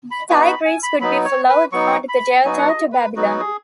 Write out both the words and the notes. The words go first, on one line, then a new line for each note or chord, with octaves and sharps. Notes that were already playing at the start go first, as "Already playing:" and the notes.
The Tigris could be followed down to the delta to Babylon.
B5
B3 D#4 F#4 G#5
B5
G#5
B5
F#3 B3 D#4 B5
C#5
B4
F#3 B3 D#4 C#6
B5
F#3 B3 D#4 F#4 G#5
F#5
D#5
B4
F#3 B3 D#4 F#4
G#4